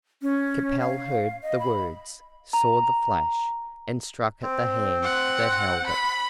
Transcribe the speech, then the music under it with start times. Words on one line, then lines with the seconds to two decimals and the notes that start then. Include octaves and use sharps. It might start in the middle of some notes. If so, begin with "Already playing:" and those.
Capel heard the words, saw the flash, and struck at the hand that held it.
0.22 C#4
0.80 F5
1.43 D#5
1.59 B5
2.53 A#5
4.43 C4
5.03 F#5
5.86 B5